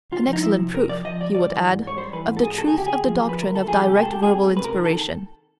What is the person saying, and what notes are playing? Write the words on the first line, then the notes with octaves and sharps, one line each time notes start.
"An excellent proof," he would add, "of the truth of the doctrine of direct verbal inspiration."
C#2 F4
F3
D#4
F3 E4
C3
C3 A#4
F3 D5
F3 D#5
C#2 D5
G3 D5
E3
G#2
G#2
C#5
G3 C5
E3 B4
G#2
A4
G#2 G#4
C#3 A4
G#4
D2 G4
D2 G#4
F3
F3
B4
D2
A#4
D2 A4
F3 G#4
C3 G4
G#3 G#4
A4
G#3 G4
G#4
C4
G#3
C3 B4
A#4
D#3
A4
D#3